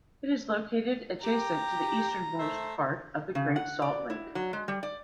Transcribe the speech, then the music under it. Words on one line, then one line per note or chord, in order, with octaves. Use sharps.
It is located adjacent to the easternmost part of the Great Salt Lake.
G4 A#5
A3 C5 E5
C#3
F#5
D5
E4
F#3
G#3
G3
D5